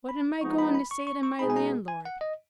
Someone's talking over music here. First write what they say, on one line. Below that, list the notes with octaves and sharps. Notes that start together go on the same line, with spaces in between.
What am I goin' to say to my landlord?
B5
F3 G#3 B3 D#4 C#6
B5
B5
C#6
C#6
C#6
B2 G#3 B3 D#4 G#4 B5
G#5
A#5
G#5
F#5
D#5